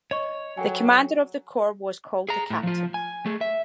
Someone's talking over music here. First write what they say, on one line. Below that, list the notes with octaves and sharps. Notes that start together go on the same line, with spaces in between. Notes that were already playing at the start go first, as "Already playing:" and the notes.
The commander of the corps was called the Captain.
C#5 D#5 C#6
F#3 A4 G5 G#5
G#4 A#5
A2
F3 F4
G#5
A3 G#4
E5